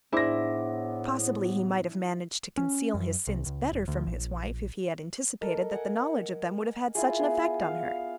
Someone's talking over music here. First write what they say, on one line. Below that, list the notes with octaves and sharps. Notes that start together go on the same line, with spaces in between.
Possibly he might have managed to conceal his sins better from his wife if he had anticipated that the knowledge of them would have had such an effect on her.
A2 B3 D4 E4 G#4 C5 D6 A#6
C#4
F#2
C2
C#2
E1
D2
A#1
A4 A#4 D#5
F#5 G#5
E4 F4 G#4
B3 G#4
F5